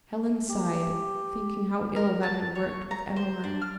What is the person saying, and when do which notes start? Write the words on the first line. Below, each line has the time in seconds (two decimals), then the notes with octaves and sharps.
Helen sighed, thinking how ill that had worked with Emmeline.
0.50 G4
1.96 A#4
2.23 A5
2.55 C#5
2.91 A#5
3.16 C5
3.44 D4
3.62 F6